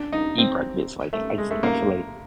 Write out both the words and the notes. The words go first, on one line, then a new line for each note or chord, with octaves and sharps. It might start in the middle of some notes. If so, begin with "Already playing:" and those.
eat breakfast, like, I f I feel like
Already playing: D4
D#4
C4
A3
G#3
A3
A#3